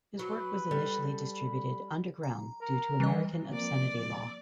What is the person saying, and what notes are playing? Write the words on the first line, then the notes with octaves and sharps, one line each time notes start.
His work was initially distributed underground due to American obscenity law.
F#3 B4
G3 A4
B5
A#5
A#4
E3 G3 D#5
F3 A#3 C4 D5